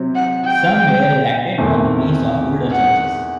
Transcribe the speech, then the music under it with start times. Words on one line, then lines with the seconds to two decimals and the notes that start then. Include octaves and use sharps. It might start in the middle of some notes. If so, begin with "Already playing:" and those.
Some were erected on the place of older churches.
Already playing: C3 F#3 C4
0.15 F#5
0.45 G5
1.58 E2 C3 D#3 A3 C4
2.72 F#5